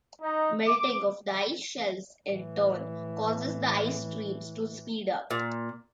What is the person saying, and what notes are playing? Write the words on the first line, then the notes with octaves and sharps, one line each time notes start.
Melting of the ice shelves in turn causes the ice streams to speed up.
D#4
D6
A2 E3
A#2